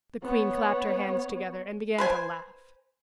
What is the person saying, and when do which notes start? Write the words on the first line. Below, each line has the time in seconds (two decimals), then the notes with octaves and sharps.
The queen clapped her hands together, and began to laugh.
0.23 B3 C#5
1.98 B4 C5 G#5